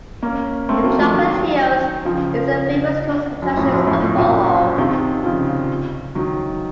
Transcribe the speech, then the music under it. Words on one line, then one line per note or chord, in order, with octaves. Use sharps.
The Chocolate Hills is a famous tourist attraction of Bohol.
A#3 C#4
A3 C4
F#3 A#3
F3 A3
D#3 F#3
C#3 F3
F#2
F2 A2
F#2
F2 A2
F2 A2
F#2 A#2
C3 D#3
C#3 F3
D#3 F#3